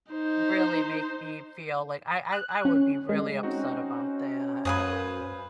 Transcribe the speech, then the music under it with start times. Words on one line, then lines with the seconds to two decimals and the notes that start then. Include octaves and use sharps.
really make me feel like I I I would be really upset about that.
0.12 D#4 C5
2.32 F#6
2.65 C#4
3.09 G#3
3.43 C4 C#4 D#4 F#4
4.65 F#2 B4 C5 F5 G#5 D#6 G#6